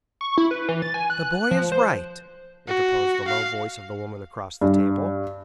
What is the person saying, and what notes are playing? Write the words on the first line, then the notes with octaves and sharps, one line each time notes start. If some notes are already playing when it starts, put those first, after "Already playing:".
"The boy is right," interposed the low voice of the woman across the table.
C#6
E4
B4
E3
A6
G#5
F#6
F#6
F3
C5
F#4
F5
G2